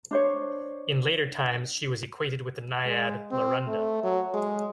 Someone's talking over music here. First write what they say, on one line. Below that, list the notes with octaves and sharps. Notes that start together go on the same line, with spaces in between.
In later times, she was equated with the naiad Larunda.
D4 C5 C#5
G#3
C4
A3
F#3
G#3